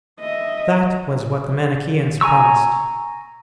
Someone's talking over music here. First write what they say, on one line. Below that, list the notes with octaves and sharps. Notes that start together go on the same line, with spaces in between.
That was what the Manicheans promised.
D#5 E5
G#5 A#5 C#6 E6